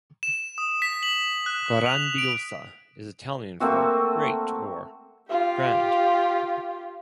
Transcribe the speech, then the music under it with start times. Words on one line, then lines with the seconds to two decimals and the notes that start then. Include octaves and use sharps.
"Grandiosa" is Italian for "great" or "grand".
0.23 E7
0.58 D#6
0.82 B6
1.03 F#7
1.46 F#6
1.86 F7
2.18 D7
3.60 A3 A#3 C4 F#4
5.29 F4 G4